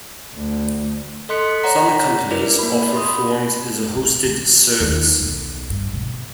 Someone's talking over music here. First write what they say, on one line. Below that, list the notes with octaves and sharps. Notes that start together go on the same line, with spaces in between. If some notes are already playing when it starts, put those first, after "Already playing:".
Some companies offer forms as a hosted service.
D2
A4 D#5 C6 F#6 B6 C#7
C#5 D5 F#5 A#5 B6
E4 A#4 B4 D5
A#3 B5
B5 C6 D#6
B3
E3
D#2
B1
G2
B2